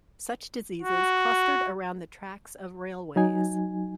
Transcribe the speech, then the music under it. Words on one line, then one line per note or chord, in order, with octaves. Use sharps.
Such diseases clustered around the tracks of railways.
F#4
F#3 D#4 G#5